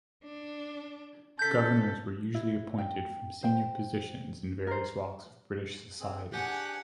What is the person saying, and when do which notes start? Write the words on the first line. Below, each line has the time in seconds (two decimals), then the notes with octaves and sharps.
Governors were usually appointed from senior positions in various walks of British society.
0.24 D4
1.39 C#3 A4 G6 B6
2.34 E4
2.78 G5
3.43 C5 G5
4.67 A#4 C5
6.00 C4 G#4
6.33 D4 G4 G#4 F#5 G#5